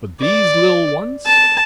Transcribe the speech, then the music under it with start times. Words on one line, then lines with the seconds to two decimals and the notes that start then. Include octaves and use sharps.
But these little ones!
0.21 D5
1.26 A5